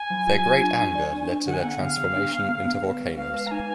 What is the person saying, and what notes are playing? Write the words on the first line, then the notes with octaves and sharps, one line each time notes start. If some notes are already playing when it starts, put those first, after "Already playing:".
Their great anger led to their transformation into volcanoes.
Already playing: G#5
F#3
F4
F4
D4
D4
D5
D4
D4
D3 F#5
G#5
B3 F#5
D3 F5
D3
D4
B3
B3
B3
B4
G#3
G#3 F5
B4
A#5
D#4 G#5